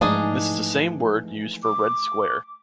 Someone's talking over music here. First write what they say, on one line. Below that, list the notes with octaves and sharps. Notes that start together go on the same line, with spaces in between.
This is the same word used for "Red Square".
G#2 E3 F3 A3 D4 D#4 G#4
D6